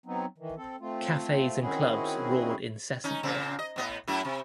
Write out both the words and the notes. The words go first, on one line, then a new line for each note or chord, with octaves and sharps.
Cafes and clubs roared incessantly.
F#3 B3 C4 D#4
D#3 E3
C4 A4
A3 C4 F4
D#3 C4 C#4 E4 F#4 G#4
C#4 D#4
A#2 C#3 C4
D#5
A2 B3 D#5
F#2 A3 E4
C3